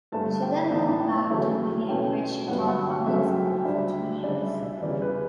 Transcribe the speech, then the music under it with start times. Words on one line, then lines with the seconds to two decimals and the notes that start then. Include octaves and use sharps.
She then moved back to Wheeling where she taught public school for two years.
0.12 G2 D3 A3 A5
0.42 G5
0.71 A2 E3 B3 D4 A5
1.00 G5
1.30 E2 C#3 F#3 A3 E4
1.89 B2 A3 C#4 E4 G5
2.48 G2 D3 F#3 B3 F#5
2.67 F#5
2.87 G5
3.06 F#2 C#3 F#3 A3 E5
3.26 G5
3.46 G5
3.65 D2 D3 G3 D4 E5
4.23 C#3 G3 D4 D5
4.43 E5
4.63 E5
4.82 E2 C#3 G3 D5
5.02 B4